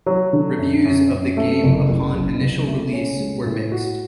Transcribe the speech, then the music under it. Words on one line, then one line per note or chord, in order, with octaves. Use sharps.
Reviews of the game upon initial release were mixed.
F#3
D3
F#2
F#2
F#2
A3
F#1
F#1
F#1
C#2
A3
C#4
G#3
A2
F#4